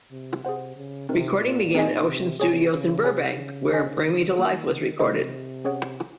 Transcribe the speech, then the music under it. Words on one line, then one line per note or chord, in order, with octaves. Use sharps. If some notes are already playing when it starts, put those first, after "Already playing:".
Recording began at Ocean Studios in Burbank, where "Bring Me to Life" was recorded.
C3
C3 G#4 C5 F#5
C#3
C3 C4 D#4 A#4
A#2
C4 D#4 G#4 D#5 G#5
C3
C3 G#4 C#5 G#5
C#3
C3 G#4 C#5 G#5
C#3
D#4 G#4 C5 D#5 G#5
C#3
D#3 A#3 F4 G#4
C3 G#4 C5 D#5
C#4 G#4 C#5 F#5